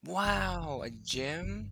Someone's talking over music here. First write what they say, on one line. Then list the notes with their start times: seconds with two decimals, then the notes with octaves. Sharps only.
Wow. A gym?
0.25 F#1 C3
0.62 D3
0.81 F2
1.13 F1
1.42 G1 F#2